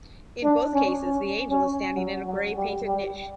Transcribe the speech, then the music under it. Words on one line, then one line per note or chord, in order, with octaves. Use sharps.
In both cases the angel is standing in a grey painted niche.
D4
C#4
C#4
C#4
F#3
F#3
G3
G3